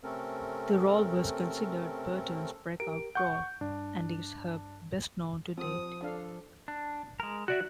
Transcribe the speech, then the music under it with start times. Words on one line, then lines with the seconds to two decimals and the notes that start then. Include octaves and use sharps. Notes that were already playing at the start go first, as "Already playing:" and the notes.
The role was considered Burton's breakout role and is her best-known to date.
0.03 C3 A3 C4 C#4 A4 A#4
2.80 G4 A#4 D7
3.15 F#5 C#6 G6
3.61 G2 D4
5.57 F3 C4 D#6
6.03 D4 A4 F5
6.68 D4
7.20 G#3 A#4
7.48 F#4 D5 E5 F#6